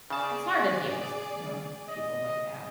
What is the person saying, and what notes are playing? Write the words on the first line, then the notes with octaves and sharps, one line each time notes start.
it's hard to deal with, you know, people like that.
C#3 G#4 D5 A5
D#5